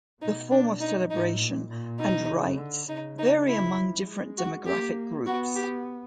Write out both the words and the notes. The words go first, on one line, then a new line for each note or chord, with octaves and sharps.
The form of celebration and rites vary among different demographic groups.
B2 D#4
D4
D#4
A2 D#4
A#2
A#2
B2 D#4
C#3
D3
C#3 D#4
D#4
E4
F3
G#3
F#4
A#3 G4
B3 F#4
G4